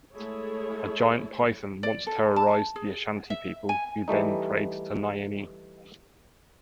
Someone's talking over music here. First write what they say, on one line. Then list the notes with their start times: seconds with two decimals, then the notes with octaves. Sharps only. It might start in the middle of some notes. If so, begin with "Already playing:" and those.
A giant python once terrorised the Ashanti people, who then prayed to Nyame.
0.15 G#3 A3 E4 G#4 A4 C#5
1.83 D5
2.07 A4
2.36 A5
2.76 G#4
3.30 E5
3.69 G#5
4.08 E3 G3 A3 D#4